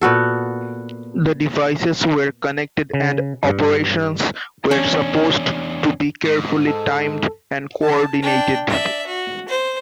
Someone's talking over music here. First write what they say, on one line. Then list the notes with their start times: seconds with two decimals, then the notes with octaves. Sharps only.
The devices were connected and operations were supposed to be carefully timed and coordinated.
0.01 A#2 B3 F#4 A4
2.93 C#3
3.44 G2
4.71 E2 C#4 D4
6.25 G#2
6.67 A4
7.82 A5
8.22 D4 G5
8.70 D5 E5
9.06 F#4
9.48 C5